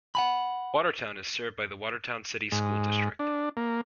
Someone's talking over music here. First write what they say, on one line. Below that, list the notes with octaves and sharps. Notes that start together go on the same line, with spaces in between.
Watertown is served by the Watertown City School District.
F#5 G#5 B5
G#2
D4
A#3